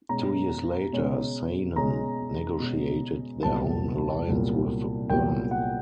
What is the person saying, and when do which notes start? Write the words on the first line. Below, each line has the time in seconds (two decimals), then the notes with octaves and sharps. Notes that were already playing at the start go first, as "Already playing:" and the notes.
Two years later Saanen negotiated their own alliance with Bern.
0.09 B2 G#3 C#4 A#5
0.93 B2 G#3 C#4
1.76 B2 G#3 C#4 A#5
2.59 B2 G#3 C#4
3.43 C2 A#2 F#3 B3 A5
4.26 C2 A#2 F#3 B3
5.10 C2 A#2 F#3 B3 G5
5.51 F#5